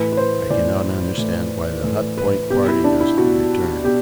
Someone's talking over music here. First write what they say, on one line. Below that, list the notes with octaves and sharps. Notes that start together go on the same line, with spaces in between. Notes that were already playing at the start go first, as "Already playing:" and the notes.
I cannot understand why the Hut Point party doesn't return.
Already playing: A2 E3 B4
B4
C5
A2 E3 D5
A2 E3
A2 E3
B4
B2 G4
E4
D4
E4
B2 F#4
B2 G4